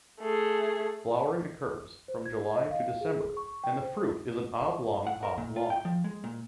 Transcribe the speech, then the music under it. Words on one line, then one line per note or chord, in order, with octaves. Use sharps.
Flowering occurs from July to December and the fruit is an oblong pod long.
A3 G#4
C5
G#6
D#5
F5
G#4
C#6
G5
C5
F#5
A#4
A#2
F4
G5
F3
G#3
A#2